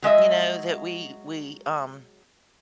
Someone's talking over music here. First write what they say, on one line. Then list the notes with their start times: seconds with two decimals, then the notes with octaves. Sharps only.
you know, that we we, um
0.02 F#3 G#3 D#5 E5